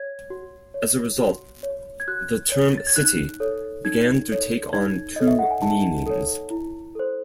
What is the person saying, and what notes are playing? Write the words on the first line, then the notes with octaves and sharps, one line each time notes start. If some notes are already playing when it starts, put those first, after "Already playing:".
As a result, the term "city" began to take on two meanings.
Already playing: C#5 G#6
F#4
C#5
F#4
C#5
G#6
F#4 F#6
C#5
A6
G#6
D#4 F#6
A4 C#5
D#4 G#6
A4 C#5
D#4 G#6
A4 C#5 D#5
E5
F#5
G#5
D#4 A5
A4 C#5
E4
A4 C5